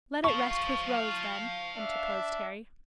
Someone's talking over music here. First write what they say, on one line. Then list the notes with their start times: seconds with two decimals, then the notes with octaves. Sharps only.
'Let it rest with Rose, then,' interposed Harry.
0.24 F5 A5 C#6
1.76 D4 E5